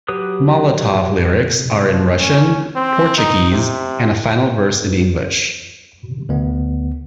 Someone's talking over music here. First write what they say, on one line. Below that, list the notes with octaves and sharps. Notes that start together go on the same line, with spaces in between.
"Molotov" lyrics are in Russian, Portuguese, and a final verse in English.
F#3 G4 B4 D#6
F3
C#4
C4
D#4
C3
D2 B3